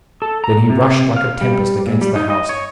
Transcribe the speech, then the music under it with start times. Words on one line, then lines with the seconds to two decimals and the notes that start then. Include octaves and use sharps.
Then he rushed like a tempest against the house.
0.22 A4
0.44 A#5
0.70 C3
0.86 C3
1.16 F5
1.41 G3
1.86 A#2
2.01 G3
2.16 D#4
2.30 D#5
2.49 C#5